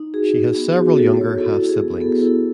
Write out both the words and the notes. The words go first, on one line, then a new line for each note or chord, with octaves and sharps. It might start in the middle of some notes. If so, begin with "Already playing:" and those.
She has several younger half-siblings.
Already playing: D#4
F#4 G#4
F#4
B3 G#4
B3 F#4
F#4 A4
F#4 C#5
E4 A4
E4
G#4
B3
B3 A4
E4 A4